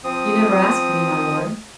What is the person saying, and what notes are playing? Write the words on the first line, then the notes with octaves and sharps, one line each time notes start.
"You never asked me, my lord."
F3 C4 D#6